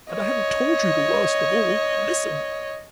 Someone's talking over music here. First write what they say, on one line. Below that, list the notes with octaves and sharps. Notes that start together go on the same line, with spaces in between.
And I haven't told you the worst of all. Listen!
C#5 D#5